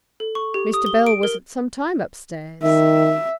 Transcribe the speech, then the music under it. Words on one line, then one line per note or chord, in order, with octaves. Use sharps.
Mr. Bell was some time up-stairs.
A4
C#6
G4
D#6
G7
D7
A#4
D#3 E5